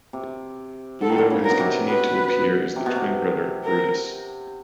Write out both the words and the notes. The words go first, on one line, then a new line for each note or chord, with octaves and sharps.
Bluto has continued to appear as the twin brother of Brutus.
C3
D3 A4
D#3
D3
C#3
A#4
B2
C3
B2 B4
C3
B2
C3
A#4